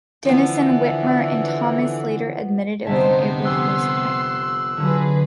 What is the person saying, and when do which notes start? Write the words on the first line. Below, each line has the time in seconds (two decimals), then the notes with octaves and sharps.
Denison Witmer and Thomas later admitted it was an April Fools' prank.
0.25 D3 E3 F3 B3
2.87 G1 C3 B3 D#4 C5 E5 A5
3.45 F1 G4 G#5 C6 E6 F#6
4.77 D3 F#3 F4 G#4 B4